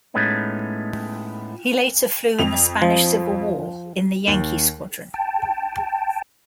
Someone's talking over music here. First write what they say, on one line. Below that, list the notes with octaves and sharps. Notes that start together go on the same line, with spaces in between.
He later flew in the Spanish Civil War in the Yankee Squadron.
A2 G#3 A3 B3 C#4 D#4
F2 F7
F3
D#2
G5 A5